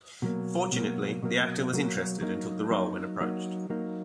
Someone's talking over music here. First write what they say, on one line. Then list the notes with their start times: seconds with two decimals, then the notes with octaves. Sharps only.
Fortunately the actor was interested and took the role when approached.
0.22 B2 F#3 A#3
0.72 B2 F#3 A#3
1.23 B2 F#3 A#3
1.71 B2 F#3 A#3
2.21 F#3 A#3 D#4
2.71 F#3 A#3 D#4
3.21 F#3 A#3 D#4
3.70 F#3 A#3 D#4